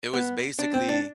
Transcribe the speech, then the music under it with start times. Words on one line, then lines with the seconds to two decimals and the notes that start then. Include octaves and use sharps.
it was basically
0.13 B3
0.59 D4
0.74 C4
0.89 D4